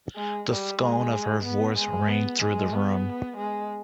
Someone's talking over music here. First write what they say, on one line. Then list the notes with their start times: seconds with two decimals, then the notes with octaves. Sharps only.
The scorn of her voice rang through the room.
0.16 G#3
0.49 G3
0.81 G#3
1.44 B3
1.77 G#3
2.09 B3
2.42 G#3
2.74 B3
3.37 G#3